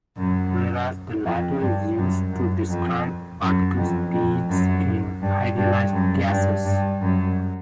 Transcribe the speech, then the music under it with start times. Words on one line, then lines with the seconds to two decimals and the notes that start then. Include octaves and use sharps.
Whereas, the latter is used to describe particle speeds in idealized gases.
0.17 F#2
1.25 F2
1.61 G2
1.97 F#2
2.33 F#2
2.69 F2
3.41 F#2
3.77 F2
4.13 F2
4.49 F#2
5.22 G2
5.57 G2
5.93 F#2
6.29 G2
6.65 G2
7.01 F#2